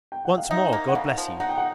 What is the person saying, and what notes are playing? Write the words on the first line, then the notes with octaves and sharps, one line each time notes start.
Once more, God bless you!
G5
F#5
F5
D#4 E5
A#3
F#5
C#3 F5
F3
D#4 F#5
G5
F#5